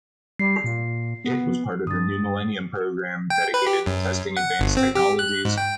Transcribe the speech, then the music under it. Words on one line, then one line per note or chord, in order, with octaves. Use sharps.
It was part of the New Millennium Program, dedicated to testing advanced technologies.
G3 C7
A#2
B3
G2 D#6 A6
G5
B4
G4
F#2
F#5
G1
C4
G4
F#6
G#2
G5